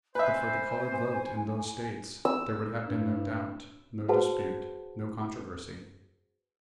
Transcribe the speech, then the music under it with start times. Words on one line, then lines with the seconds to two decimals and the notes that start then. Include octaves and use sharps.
But for the colored vote in those States there would have been no doubt, no dispute, no controversy.
0.15 B4 C5 E5 G#5
2.25 E6
2.87 G2
4.09 F#4 G#4 B4 C5 F#5 A5